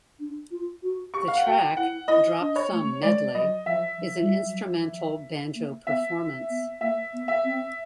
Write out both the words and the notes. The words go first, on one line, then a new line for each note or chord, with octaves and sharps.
The track "Drop Thumb Medley" is an instrumental banjo performance.
D4
F4
F#4
G4 C#6
F5
F#5
F#4 G5
E4 F#5
E4 D#5
D4
C#5
A3
G#3 D5
F#3 D#5
F3 E5
F3
G3
F#3
F3
F3
A#3
B3 E5
B3
A#3 E5
B3
E5
C4